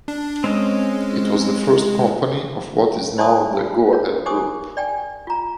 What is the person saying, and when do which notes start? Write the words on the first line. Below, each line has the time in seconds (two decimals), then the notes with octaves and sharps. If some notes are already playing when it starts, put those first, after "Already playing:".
It was the first company of what is now the Go-Ahead Group.
0.08 D4
0.44 G#3 C4 C#4 D#5
3.18 C5 D5 G#5 A5 D#6
3.59 F4
3.93 A#4 C#5
4.26 G4 C5 G#5 D6 D#6
4.77 D5 G5 G#5
5.27 F4 A#5